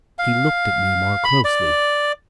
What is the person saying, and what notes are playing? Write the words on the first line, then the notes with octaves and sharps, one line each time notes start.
He looked at me more closely.
F5
B5
D5